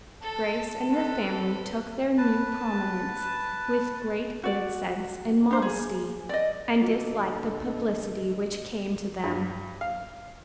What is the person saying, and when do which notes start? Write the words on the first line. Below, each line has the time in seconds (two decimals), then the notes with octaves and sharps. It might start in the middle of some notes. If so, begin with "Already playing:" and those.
Grace and her family took their new prominence with great good sense and modesty, and disliked the publicity which came to them.
0.22 A4 A5
0.91 C4 A4 B4
2.17 B4 A5
4.44 F#4 D5
5.51 D4 C5
5.62 G#4
6.29 D5 D#5
6.81 A#2 D3 A#3 F4 F#4 A4 D#5
9.24 G2
9.81 F5